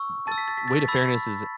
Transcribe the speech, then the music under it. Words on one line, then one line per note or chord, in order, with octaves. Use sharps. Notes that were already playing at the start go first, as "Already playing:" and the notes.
the way to fairness is
Already playing: C#6 E6
A5 E6 A6
B6
A6
B6
A6
B6
B5 E6 A6